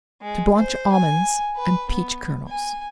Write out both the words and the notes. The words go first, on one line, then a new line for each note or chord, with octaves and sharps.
To Blanch Almonds and Peach Kernels.
G#3
C5
G#5
B4
B3
G#5